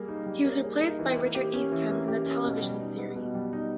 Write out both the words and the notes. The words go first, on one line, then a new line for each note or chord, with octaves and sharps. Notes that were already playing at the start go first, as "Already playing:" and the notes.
He was replaced by Richard Eastham in the television series.
Already playing: G3 A#3 G#4
D#4
G3
A#3
G#4
D#4
E3
A#3
G4
C#4
E3
A#3
G4
C#4
B2
G3
D#4
B3
B2
G3
D#4